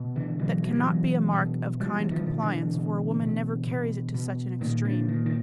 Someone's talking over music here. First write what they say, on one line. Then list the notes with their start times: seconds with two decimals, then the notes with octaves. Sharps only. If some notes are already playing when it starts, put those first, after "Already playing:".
That cannot be a mark of kind compliance, for a woman never carries it to such an extreme.
Already playing: B2
0.16 D3 E3
0.39 B2 E3 F#3
0.63 F#3
0.71 G3
0.78 E3 F#3
0.87 B2
1.33 B2
1.80 B2 F3 G3
2.00 E3
2.11 D#3 F3
2.26 B2
2.42 D3 E3
2.73 B2
3.21 B2
3.67 B2
4.14 B2
4.61 A#2 D#3
4.85 D3
5.08 A#2 D#3
5.26 D#3